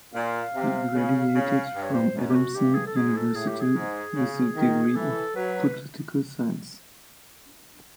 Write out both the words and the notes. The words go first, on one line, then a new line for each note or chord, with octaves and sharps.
He graduated from Adamson University with the degree of Political Science.
A#2 F5
C3
C#3
C#3
G2
C#5
C5
F#2
G4
F#4
G2 G4
G#4
A4
G#2 G#4
A4
A2 G#4
G4
G#4
G#2
C#3
D#3
E3 A4
F#3 B4